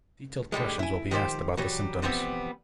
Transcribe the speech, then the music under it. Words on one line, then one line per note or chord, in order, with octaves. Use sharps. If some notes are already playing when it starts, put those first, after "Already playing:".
Detailed questions will be asked about the symptoms.
A2 D3 G3 G#3
E4 G#5
D#3 F3 G4 C5
E3 F#3 G3
E3 F3 G3 B3 C4